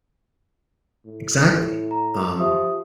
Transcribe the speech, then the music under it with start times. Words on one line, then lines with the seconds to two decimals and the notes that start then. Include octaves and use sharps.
Exactly. Um,
1.05 A2
1.44 A2 E4
1.91 A#5
2.38 F3 G4 E5 D#6